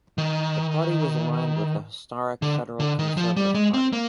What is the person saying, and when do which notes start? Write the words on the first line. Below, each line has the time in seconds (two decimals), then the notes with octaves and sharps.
The party was aligned with the historic federal Conservative party.
0.18 D#3
2.42 D3
2.80 D3
2.99 D#3
3.17 F3
3.36 G3
3.54 G#3
3.74 C4
3.93 A#3